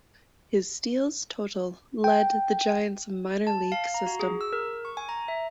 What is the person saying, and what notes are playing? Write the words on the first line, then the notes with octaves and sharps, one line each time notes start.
His steals total led the Giants minor-league system.
G5
A5
F5
A#5
F#4
G#4
E6
A#4
C#6
G#5
A#5
E5